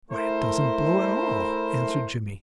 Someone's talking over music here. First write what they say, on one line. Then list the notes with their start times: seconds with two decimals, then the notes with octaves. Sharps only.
"Why, it doesn't blow at all," answered Jimmie.
0.11 A3 E4 A#4 C5